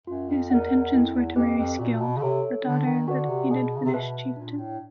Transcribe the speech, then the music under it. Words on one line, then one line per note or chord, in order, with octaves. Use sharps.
His intentions were to marry "Skjalf", the daughter of the defeated Finnish chieftain.
F#2 F4
F2
E2 A#4 D#5 F#5
E2
F2 E4
E2
F2 G4 B4 D#5 G#5
F2
A#2 F#4
B2
C#3
C3 A4 C#5 E5
D3 D4
D#3
D3 F#4 B4 D5 F#5
C3
B2 G#4
C#3
C3
B2 B4 E5 A5
A#2 D4
A2